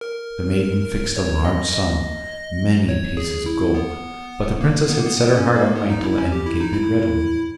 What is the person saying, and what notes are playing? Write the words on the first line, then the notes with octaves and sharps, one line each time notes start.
The maiden fixed a large sum, many pieces of gold, but the princess had set her heart on the mantle, and gave it readily.
A#4
C#5
D#5
D#5
C#5
G#4
E4
B3
A#3
B3
A#3
B3
B3
C#4
A#3
B3
D#4
E4
C#4
G4
E4
D#4
E4